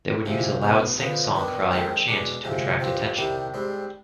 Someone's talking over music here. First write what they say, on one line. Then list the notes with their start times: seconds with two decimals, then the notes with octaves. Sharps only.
They would use a loud sing-song cry or chant to attract attention.
0.26 D2 C3 F3 G#3
0.62 B1 B2 B3
0.99 D3 F3 B3
1.35 D#3 B3 D4
1.71 D#3 G#3 C4 D#4
2.08 B2 G#3 D4
2.44 D2 C3 F3 G#3
2.80 G2 F3 C4
3.17 C2 C3 D#3 G3
3.54 G#2 G3 C4